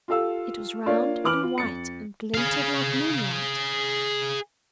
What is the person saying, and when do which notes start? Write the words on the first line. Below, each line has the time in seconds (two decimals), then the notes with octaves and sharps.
It was round and white and glinted like moonlight.
0.08 F4 G4 A4 F5 E6
0.86 A#3 D4 F4 C#5 D5 F5
1.24 E3 B4 D6 F6 F#7
1.43 F4
1.58 F2 A6 C#7
2.34 G#4 F5